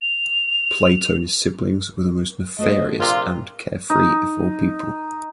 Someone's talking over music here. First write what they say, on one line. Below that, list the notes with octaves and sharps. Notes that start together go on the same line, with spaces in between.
Plato and his siblings were the most nefarious and carefree of all people.
F7
A3 F#4 C5 D#5
A#1 C3 F4 F5
D#4